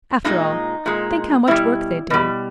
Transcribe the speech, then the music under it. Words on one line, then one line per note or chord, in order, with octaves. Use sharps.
After all, think how much work they do.
A#2 G#3 D#4
A#2 G#3
B2 G3 E4
B2 G3